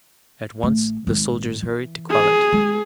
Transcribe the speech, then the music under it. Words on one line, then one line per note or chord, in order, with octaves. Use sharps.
At once the soldiers hurried to quell it.
A1 A3
G#1 G#2
E3
G#4
G#3